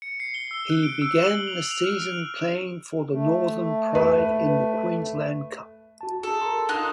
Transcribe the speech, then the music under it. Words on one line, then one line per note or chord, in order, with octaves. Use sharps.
He began the season playing for the Northern Pride in the Queensland Cup.
C#7
C7
G7
E6
F#6
D7
E6
F#7
F7
F7
F6
D7
A3
B4
F#4 A5
G#4 A4
A#4 A#5 C6
D#4 F4 F#6